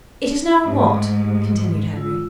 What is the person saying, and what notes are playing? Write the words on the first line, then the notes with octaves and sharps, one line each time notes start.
"It is now what?" continued Henry.
G#2 A3 G4
G#3 F4 E6